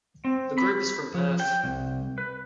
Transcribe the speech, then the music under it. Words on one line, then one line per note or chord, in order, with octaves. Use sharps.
The group is from Perth.
C4
B5
F3
G5
C2
B4